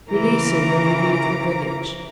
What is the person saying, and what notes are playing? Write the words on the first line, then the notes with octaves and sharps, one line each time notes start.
"Release him when we leave the village."
C#3 E3 A#4 A#5 D6